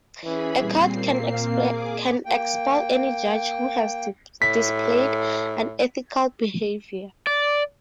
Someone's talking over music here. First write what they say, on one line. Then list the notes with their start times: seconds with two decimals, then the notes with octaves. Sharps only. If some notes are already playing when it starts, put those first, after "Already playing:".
A Court can expel any judge who has displayed unethical behavior.
0.24 E3 C#4 G#4 B5
0.61 A#2 G3 C4 C7
0.95 A#3
1.34 F5
1.67 G#4 D6
2.26 A#3 G5
4.42 A2 B6
7.27 D5